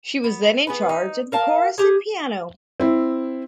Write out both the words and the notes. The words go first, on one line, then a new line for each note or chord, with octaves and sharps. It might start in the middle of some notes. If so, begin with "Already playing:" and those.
She was then in charge of the chorus and piano.
B3
B3 G#4 B4
D#4
A#4 F5 A5
G4 G#4
C4 E4